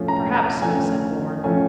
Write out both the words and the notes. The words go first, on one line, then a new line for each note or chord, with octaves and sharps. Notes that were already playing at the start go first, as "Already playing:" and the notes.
"Perhaps so," said Bourne.
Already playing: F3 A3 C#4
A#5
A#5
F3 A3 C#4 G#5
F3 A3 C#4 G#5